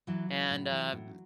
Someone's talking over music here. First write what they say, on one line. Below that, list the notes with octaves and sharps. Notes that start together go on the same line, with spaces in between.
and, uh, m
E3 F#3
E3
A2
E3
A2